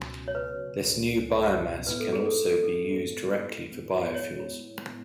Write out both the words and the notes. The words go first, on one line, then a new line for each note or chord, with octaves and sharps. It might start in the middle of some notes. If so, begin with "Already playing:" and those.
This new biomass can also be used directly for biofuels.
Already playing: C#2 B2 F#3 C#4
C#5
B4
A2 G#3 B3 E4 B4
A4
G#4
A4
A4
C#5